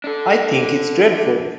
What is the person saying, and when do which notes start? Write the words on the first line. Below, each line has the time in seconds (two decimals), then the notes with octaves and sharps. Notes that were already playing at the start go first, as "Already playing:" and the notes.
I think it's dreadful.
0.04 D4 A4